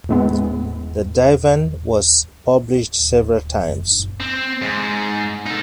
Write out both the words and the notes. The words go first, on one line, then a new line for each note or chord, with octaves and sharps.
The Divan was published several times.
A2 G#3 B3
C4
G#2
D#4 A4